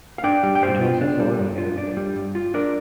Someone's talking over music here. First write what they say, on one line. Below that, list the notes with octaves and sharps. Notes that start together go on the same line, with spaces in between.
It also sold fairly well.
F5
D4 D5 G5
G3
G5
G2 C5 F5
F4
D4
G3
G2
F4
D4
G3
G2
F4
D4 A#4 D5